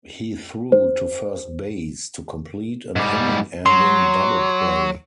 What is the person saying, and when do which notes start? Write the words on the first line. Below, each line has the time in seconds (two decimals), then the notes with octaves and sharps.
He threw to first base to complete an inning-ending double play.
0.72 C5
2.96 G#2 G3
3.66 F#3 C6